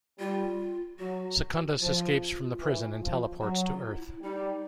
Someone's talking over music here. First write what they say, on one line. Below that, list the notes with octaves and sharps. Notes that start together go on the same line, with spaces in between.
Secundus escapes from the prison and teleports to Earth.
G3 F4
F#3 F#4
F3 F4
E3
F3
F#3 F#4
F4
E4
G3 D#4